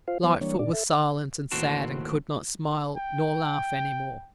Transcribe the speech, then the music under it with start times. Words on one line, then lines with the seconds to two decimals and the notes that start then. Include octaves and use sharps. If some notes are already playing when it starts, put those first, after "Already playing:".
Lightfoot was silent and sad, and could not smile nor laugh any more.
0.08 F4 C5 F5
0.24 F#3 B3 C5
0.41 E3 G3 A#3 D4 C#5
0.59 A#2 D4 D5
0.73 A4 E5
1.52 D#2 A2 C4 F#4 A5
2.97 G5